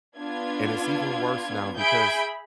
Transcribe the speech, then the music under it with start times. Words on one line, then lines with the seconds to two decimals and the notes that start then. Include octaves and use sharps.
And it's even worse now because
0.17 B3 D4 F4 G#6
1.76 G#4 E5 B5 G6 G#6 D7